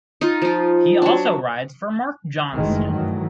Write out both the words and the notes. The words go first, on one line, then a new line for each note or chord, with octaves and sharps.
He also rides for Mark Johnston.
D#4 F4
F3 F4
F#3 D4
F#1 D#3 E3 G#3 A3
G2 D#3 E3 F#3 A3